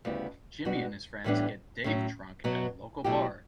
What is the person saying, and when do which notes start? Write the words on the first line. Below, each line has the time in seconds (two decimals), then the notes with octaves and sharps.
Jimmy and his friends get Dave drunk at a local bar.
0.05 D2 C#3 G3 B3 E4
0.65 B2 G3 B3 D4 F#4
1.24 A2 E3 G3 B3 D4
1.84 A2 F#3 C#4
2.44 B2 F#3 B3
3.04 B2 F#3 A3 E4 G4